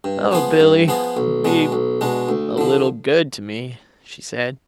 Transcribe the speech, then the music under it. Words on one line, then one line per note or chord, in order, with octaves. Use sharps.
"Oh, Billy, be a little good to me!" she said.
G2
F3 B3 F4 G#4
G2
F3 B3 F4 G#4
B1
B2 G#3 D4
B1
B2 G#3 D4
D2
D3 F3